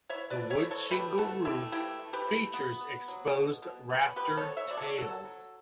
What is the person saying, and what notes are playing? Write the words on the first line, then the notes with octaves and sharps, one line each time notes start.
The wood shingle roof features exposed rafter tails.
E3 C#5 E5
B4 D5
A3
C#5 E5
E3
A4 C#5
A3 G4 B4
E3 F#4 A4
A3 E4 G4
E3 E4 G4
A3
G4 B4
E3
B3
B3
F#3
B2
B2
B3
B2 G4 B4
A4 C#5
B3
C#5 E5
F#3 D5
A4 C#5
F#3 F#4 A4
F#3